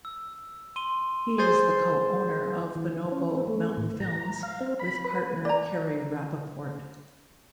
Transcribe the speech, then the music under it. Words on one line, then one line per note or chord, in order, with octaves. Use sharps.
He is the co-owner of Bonobo Mountain Films with partner Carrie Rapaport.
E6
C6 D#7 G7
G#4 C5 C6 G6 A6
E3
C#4
C4
A3
A2
A#5
F5
C4
B5
B4
B4
D5 A#5